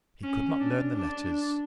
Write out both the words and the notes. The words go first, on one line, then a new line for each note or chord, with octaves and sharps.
He could not learn the letters.
C#4
D4
D4